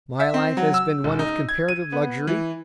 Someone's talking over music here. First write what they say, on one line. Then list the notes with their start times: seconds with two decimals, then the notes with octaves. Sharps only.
My life has been one of comparative luxury.
0.20 E5
0.34 C4
0.57 F#3
0.74 E6
1.04 E1
1.19 D#4
1.49 G#6
1.68 D#7
1.92 B3
2.27 E3